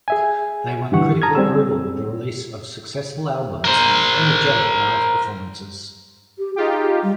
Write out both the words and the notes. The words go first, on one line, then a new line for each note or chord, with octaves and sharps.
They won critical approval with the release of successful albums and energetic live performances.
G#4 E5 G#5
G2 D3 E3 G4 F#5 C#6
A5 A#5 D#6 F6 G#6
G3 C4 G#4 E6
A#4 C5
G4
D#4 F4 G4 G#4
G3